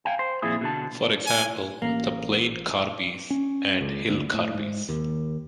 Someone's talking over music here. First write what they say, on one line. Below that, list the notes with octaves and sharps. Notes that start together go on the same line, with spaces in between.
For example, The Plain Karbi's and Hill Karbi's.
F5 G5 G#5
C5
F2 A#2 E4 G#4
B2 D3 A5
G#5
A1 A#3
C#4
C#2
D2
A2
G#2
D#2